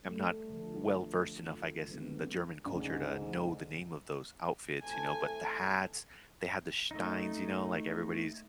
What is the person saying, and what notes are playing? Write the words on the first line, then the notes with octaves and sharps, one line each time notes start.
I'm not well-versed enough, I guess, in the German culture to know the name of those outfits, you know? But, the hats, they had the steins, you know? Like, everybody's
G3 A3
D3 F3 A4
D3 F#3 G#3 B3 C4
D2 G#2 C#3 D5
C3 E3 A3 G#5
A3 D#4